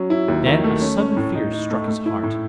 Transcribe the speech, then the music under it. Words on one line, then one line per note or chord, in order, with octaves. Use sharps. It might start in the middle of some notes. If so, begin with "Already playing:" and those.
Then a sudden fear struck his heart.
Already playing: F#3 C#4
E4
D#2
D#3
A3
C#4
C#4
A2
D#4
D#4
A3
A3
E4
A2